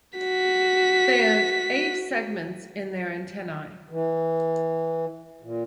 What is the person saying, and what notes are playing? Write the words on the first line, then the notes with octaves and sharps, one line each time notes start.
They have eight segments in their antennae.
F#4 B6
E3
A#2